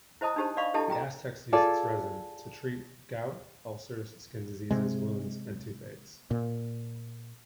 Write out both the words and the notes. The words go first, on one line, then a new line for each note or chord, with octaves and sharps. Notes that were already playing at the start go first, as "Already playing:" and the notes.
The Aztecs used its resin to treat gout, ulcers, skin diseases, wounds, and toothaches.
E4 C5 D#5 A5 D#6
D4 D#4 G4 C5 A5
D5 D#5 F5 B5 C#6
D4 E4 G4 A4 D#5 A5
G5 A#5
F4 G#4 A4 D5
C3 G#3
A#2